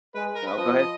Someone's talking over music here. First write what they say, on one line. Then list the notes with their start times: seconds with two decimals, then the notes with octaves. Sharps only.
no, go head.
0.15 G#3 B4
0.35 A#4
0.47 B4
0.57 F3 D#5
0.78 D#5